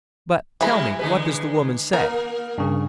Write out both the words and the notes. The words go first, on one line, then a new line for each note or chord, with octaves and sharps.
"But, tell me, what does the woman say?"
E3 G3 G#3 B5
D3 G#3 B4
A#3 A#4
G2 C#3